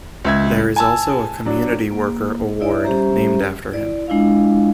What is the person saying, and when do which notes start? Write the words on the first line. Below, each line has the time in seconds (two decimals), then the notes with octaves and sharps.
There is also a Community Worker award named after him.
0.25 C#2 E5 G#6
0.76 G#5 A5 E6
1.46 F#3 D4
1.91 A#3
2.60 D#4 E4 C#5 D5 E5
2.84 G3 C#4 G4 C5 E5 A#5
3.72 E4 D5
4.08 G#3 D4 E4 F4 D#5 F5